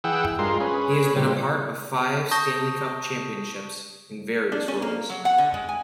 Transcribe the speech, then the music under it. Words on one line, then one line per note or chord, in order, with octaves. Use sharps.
He has been a part of five Stanley Cup championships in various roles.
E3 G#4 F#5 G5 E6
G2 G#3 F4 A#4 C6
C#4 G#4 B4
A#2 G3 C4
A5 C#6 D#6 G6 A#6 G7
D4
C#4
A#3
F#3
F#5
D3
G#3
G#5